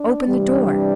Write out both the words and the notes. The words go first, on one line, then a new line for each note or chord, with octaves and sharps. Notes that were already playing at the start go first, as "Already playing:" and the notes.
Open the door.
Already playing: D4
C3 E3 G3 D4